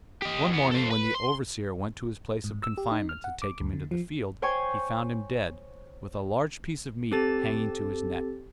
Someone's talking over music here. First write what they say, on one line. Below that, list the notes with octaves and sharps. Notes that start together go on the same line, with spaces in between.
One morning when the overseer went to his place of confinement to take him into the field, he found him dead, with a large piece of meat hanging to his neck.
G4 D#5
E2 B3
A4 C5
B4
C6
G#2
E6
G4
D#4
F6
F#5
D6
D2
D3
F3
C5 C#5 G5 G#5 C#6
C4 G4 A4 A5 A6